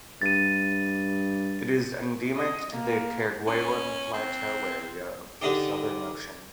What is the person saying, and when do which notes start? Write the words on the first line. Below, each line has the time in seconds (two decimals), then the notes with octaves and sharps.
It is endemic to the Kerguelen Plateau area of the Southern Ocean.
0.22 G2 A6 D#7
2.35 D#5
2.71 A#3
3.47 C#4
4.14 C4
5.41 D3 D4 D#4 G4